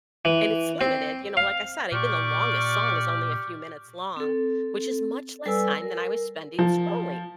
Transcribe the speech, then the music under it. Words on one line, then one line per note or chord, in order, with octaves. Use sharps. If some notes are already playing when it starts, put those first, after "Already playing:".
and it's limited, you know, like, I said, even the longest song is only a few minutes long, which is much less time than I was spending scrolling.
E3
C4
F5
A#2 G4 D5 C#6 F6
C4 A4
G3 A4 B4 D5 G#5 E6
A#4
F3